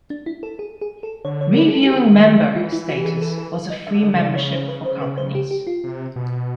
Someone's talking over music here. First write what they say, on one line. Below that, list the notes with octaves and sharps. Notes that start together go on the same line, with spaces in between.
"Reviewing member" status was a free membership for companies.
D4
E4
A4
G#4
G#4
A4
D3 C#5
C#5
A#4
B4
G#4
A4
G4
D#3 G#4
E3 F4
E4
F#4
G4
G#4
G#4
A4
A4
B4
D#5
D3 E5
D#5
D3
C#3 D5
C#5
C5
B4
C5
B4
C5
G4
G4
F4
C3
B2